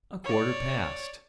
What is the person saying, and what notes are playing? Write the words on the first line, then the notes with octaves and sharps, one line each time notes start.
A quarter past.
C#5 D5